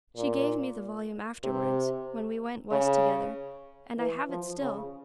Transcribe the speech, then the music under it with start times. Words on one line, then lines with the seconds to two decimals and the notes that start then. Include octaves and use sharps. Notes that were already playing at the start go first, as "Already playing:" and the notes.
She gave me the volume afterwards, when we went West together, and I have it still.
0.17 A#2
1.44 C3
2.71 C#3
3.98 E3
4.29 F3
4.61 C#3